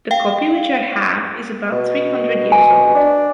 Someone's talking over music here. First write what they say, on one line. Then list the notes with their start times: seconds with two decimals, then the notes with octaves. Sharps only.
The copy which I have is about three hundred years old.
0.11 F5 G5
1.72 B2
2.52 G#5
2.95 D4